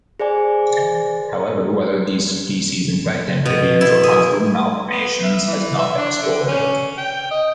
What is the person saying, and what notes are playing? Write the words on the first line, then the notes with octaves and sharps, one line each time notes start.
However, whether these species infect amphibians or cause limb malformations has not been explored.
G#4 C5 D5 G#5
B2
E4
G#4
B3
E5
E3
E5
D4
D3
C#4
G5
D#5